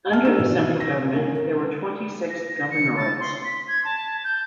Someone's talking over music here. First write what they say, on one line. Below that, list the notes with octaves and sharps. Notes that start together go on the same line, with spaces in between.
Under the central government, there were twenty-six governorates.
D#5 E5 G#5 A5 F6
D4 G4 A#5 E6 E7
B2
A#6
C#4 A#4
A#4
A#6
C#7
A6
C6
B6
G#6
A5
G6